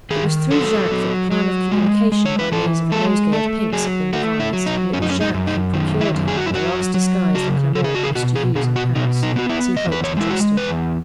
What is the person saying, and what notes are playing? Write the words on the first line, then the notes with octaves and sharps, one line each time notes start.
It was through Jacques that the plan of communication, by means of a nosegay of pinks, had been devised; and it was Jacques who procured him the last disguise that Clement was to use in Paris--as he hoped and trusted.
D#3 G#4
F#3 A4
F#3
F#3
G#3
G#3
C#5
B4
E3 A4
G#3 A4
A3 A4
F#3 G#4
A3 F#4
E4
F#3
D#4
F#2 C#4
D#4
C#4
D#4
F#2
D#4
D#3
E4
F#2
G#4
F#4
E4
F#3 F#4
F#3
C#3 F#4
C#3 A4
G#4
F#4
G#4
B2 F#4
G#4
B2 G#4
F#4
B2 D#4
D#4
B3 F#4
E4
E2 D#5
B4
C#5
G#3 E4
F#4
E2 B4